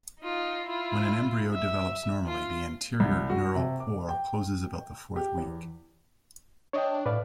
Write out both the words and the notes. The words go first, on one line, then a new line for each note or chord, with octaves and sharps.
When an embryo develops normally, the anterior neural pore closes about the fourth week.
D#4 F4
E4 F4
E5
F4
C2
F#4
C3
D6
G5
G4
E2
D4 C#5 D#5 G5
A2 B4 D5 F5